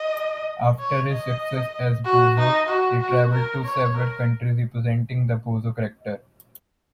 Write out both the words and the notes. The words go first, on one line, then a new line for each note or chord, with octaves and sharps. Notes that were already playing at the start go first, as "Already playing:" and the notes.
After his success as Bozo, he traveled to several countries representing the Bozo character.
Already playing: D#5
C#5
D#5
F#4
D#4
F#4
F#4
A#4
C#5
A#4